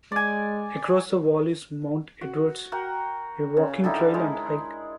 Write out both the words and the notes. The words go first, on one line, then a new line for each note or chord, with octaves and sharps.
Across the wall is Mount Edwards - a walking trail and hike.
G#3 D5 G#5
F#4
F#4 A#4 G5
C#3
D3 G3 D#4 E4
G#3